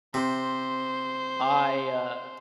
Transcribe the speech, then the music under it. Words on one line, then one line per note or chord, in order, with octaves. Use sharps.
I, uh,
C3 C5